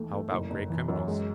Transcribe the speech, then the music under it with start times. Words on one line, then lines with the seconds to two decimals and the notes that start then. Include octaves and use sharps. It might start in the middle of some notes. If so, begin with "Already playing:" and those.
"How about great criminals?"
Already playing: D#2 E3 A3
0.12 A3
0.31 F#1
0.50 F#1
0.70 E3
0.88 F#2
1.07 G#3